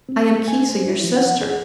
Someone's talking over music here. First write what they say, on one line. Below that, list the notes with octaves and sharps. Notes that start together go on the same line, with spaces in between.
I am Kisa, your sister!'
C4
G#5
C5
E4
F3
F#5
G#4